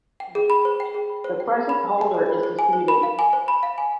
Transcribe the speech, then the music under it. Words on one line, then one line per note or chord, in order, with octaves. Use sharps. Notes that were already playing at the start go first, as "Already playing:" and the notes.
The present holder is disputed.
G5
G#4
B5
C5
G5
G#4
B5
C5
G5
G#4
B5
C5
G5
G#4
B5
C5
G#5
C5
B5
F5
G#5
C5
B5
F5
G#5